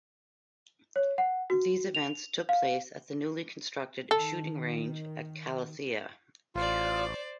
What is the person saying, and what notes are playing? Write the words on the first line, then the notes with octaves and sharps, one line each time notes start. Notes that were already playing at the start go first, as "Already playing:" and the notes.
These events took place at the newly constructed shooting range at Kallithea.
C#5
F#5
F#4
F7
F5
D#3 A4
A1 F4 C5 D5